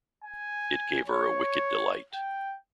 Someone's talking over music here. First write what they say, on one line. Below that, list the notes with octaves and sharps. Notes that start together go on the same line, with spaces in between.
It gave her a wicked delight.
G#5
C#5
G5